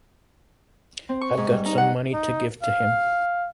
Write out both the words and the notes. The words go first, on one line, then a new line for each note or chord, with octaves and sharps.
I've got some money to give to him.
C4
C#6
G#2
G3
D#4
F#5
D#4
F5